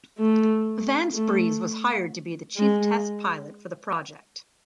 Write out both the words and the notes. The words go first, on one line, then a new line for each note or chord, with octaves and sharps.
Vance Breese was hired to be the chief test pilot for the project.
A3
A3
G#3